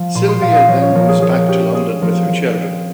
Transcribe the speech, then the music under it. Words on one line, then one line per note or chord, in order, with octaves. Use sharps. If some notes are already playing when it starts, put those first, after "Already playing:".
Sylvia then moves back to London with her children.
Already playing: F3
A#2 C6
C6
A#2 F5
D#5
F3 C#5
C#5
F3 A#4
G#4
F3 G#4
C#4 G4
C4 G#4
F3 A#4
F3
C4